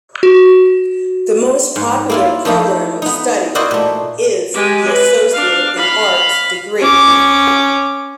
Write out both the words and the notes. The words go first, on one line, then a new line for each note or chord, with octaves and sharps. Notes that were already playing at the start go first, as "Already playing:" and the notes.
The most popular program of study is the associate in arts degree.
F#4
G#2
A#3 E4 F4
F3 A3 D#4 E4
B3 D#4
E4 F#4 A#4 C5 D5 D#5
A#2 A3
G#3 G4
B4
D4 F5
F5 B5
C#4 D6